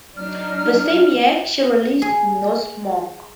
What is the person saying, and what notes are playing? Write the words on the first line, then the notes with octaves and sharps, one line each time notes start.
The same year, she released "No Smoke".
F#3 D4 D#4 F6
G#4